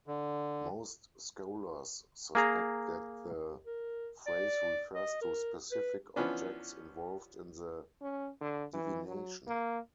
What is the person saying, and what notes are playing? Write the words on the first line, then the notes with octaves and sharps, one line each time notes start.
Most scholars suspect that the phrase refers to specific objects involved in the divination.
D3
A#3 G#4 A#5
A#4
D5
D#5
A#4
B4
E3 F3 B3 C#4 D4
C#4
D3
E3
F#3
A#3